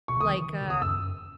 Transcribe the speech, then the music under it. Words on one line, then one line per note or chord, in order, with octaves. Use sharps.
like, uh
B2 C#6
C#3
D#3 D#6
E3
D#3
B2
C#3
D#6
F#2 E6
F#2